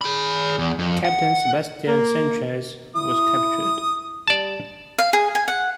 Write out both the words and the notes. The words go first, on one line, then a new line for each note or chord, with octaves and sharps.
Captain Sebastian Sanchez was captured.
G#4 B5
E2
F2
F#5
A#3
E4 D#6
G3 D5 A5
F5
G#4
G#5
F#5